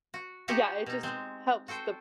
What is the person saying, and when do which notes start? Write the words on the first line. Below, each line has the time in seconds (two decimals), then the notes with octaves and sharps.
Yeah, it just helps the
0.14 F#4
0.48 D#4 F#4 G4 C5 F#5 G#5
0.86 B2 D#4
1.03 G#3 C4 C5
1.68 F#4 A4 C5 G5